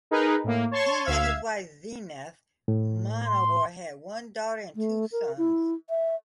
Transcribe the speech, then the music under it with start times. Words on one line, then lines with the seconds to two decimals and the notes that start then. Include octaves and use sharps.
He and his wife Zeenath Munawar had one daughter and two sons.
0.11 D#4 G#4 A#4 B4
0.44 A2 A#3
0.71 C#5 A5 C6 C#6
1.04 D2 E5 F5 E6 G#6
2.68 A2
3.26 C6
4.76 A3
5.12 A#4
5.38 E4
5.90 E5